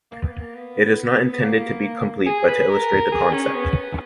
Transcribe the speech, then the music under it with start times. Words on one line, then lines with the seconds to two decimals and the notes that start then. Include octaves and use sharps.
It is not intended to be complete but to illustrate the concept.
0.11 A#3
0.22 B3
0.31 A#3
0.55 B3
1.33 B3
1.40 A#3
2.26 G#4
2.48 B4
2.69 A#4
3.12 G#4
3.33 C#4
3.55 B3